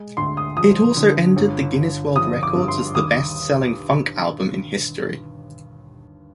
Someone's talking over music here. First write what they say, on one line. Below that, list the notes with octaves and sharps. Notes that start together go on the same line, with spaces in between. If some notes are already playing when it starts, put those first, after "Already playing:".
It also entered the Guinness World Records as the best-selling funk album in history.
Already playing: G#3
D2 C6
D#6
F3 D#6
D3
G1
G1
F3 D#6
D6
G2
C6
D#2 D#6